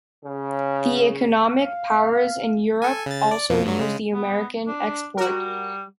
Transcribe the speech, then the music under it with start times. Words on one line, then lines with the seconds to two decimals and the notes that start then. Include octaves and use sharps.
The economic powers in Europe also used the American export.
0.24 C#3
1.52 F5
2.82 A4 G#5
3.06 C#3 A6
3.31 D5
3.49 F2 B2 F3
3.66 G2 F#3
3.79 C#3 G#3
4.13 B3
4.68 D4
5.17 G3 F#4 A#4